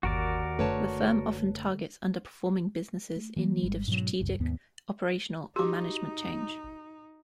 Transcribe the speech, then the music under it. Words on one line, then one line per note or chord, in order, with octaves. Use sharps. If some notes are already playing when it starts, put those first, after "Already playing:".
The firm often targets under-performing businesses in need of strategic, operational, or management change.
G1 D#2 F#4 A#4 D5
F#1 D3 A3 B4 C#5 A5
A3
E3 G3 A#3
G#1 G3 G#3
G#2 B2 F3 F#3
G1 C#2 G2
D#2 G#2 B3
D#4 F#4 G4 D6